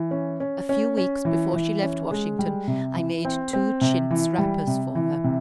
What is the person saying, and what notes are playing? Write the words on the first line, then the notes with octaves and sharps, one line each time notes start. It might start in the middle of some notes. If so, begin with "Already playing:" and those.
A few weeks before she left Washington I made two chintz wrappers for her.
Already playing: E3
C#4
C#4
C#4
C#4
E3
E3
C#4
G#3
G3
C3
E3
C4
C4
C3
E3
G3
C3
E3
C3